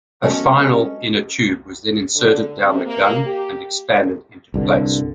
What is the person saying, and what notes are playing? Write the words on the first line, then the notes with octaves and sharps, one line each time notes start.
A final inner tube was then inserted down the gun and expanded into place.
G#3 B3 C#4 F#4 A4
D3
C3
A#3
G4
C2 G2 D3